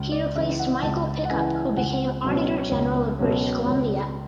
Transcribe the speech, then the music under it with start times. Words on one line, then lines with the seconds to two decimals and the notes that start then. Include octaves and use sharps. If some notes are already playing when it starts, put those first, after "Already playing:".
He replaced Michael Pickup who became Auditor General of British Columbia.
Already playing: C#2
0.12 D5
0.35 C#3 E5
0.39 E3
0.59 F#5
0.83 C#2 A5
1.25 F#5
1.30 C#3 E3 G#5
1.77 C#2 F#5
2.24 B2 F#3 C#4
2.71 C#2 C#5
3.19 B2 F#3 C#4
3.66 C#2 C#5